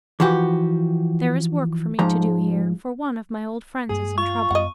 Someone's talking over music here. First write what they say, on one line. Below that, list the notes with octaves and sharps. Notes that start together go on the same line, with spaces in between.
"There is work for me to do here, for one of my old friends is in trouble."
E3 F3 F#4 G4
G#2 F3 A#5
G2 G#3 A#3 G#4
F4 C#6
F#2 B3 D#5 F#5